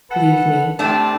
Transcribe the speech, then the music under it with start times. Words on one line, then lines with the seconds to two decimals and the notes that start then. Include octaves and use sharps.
"Leave me."
0.10 A4 B4 F#5
0.79 A2 C3 A3 C4 D4 A5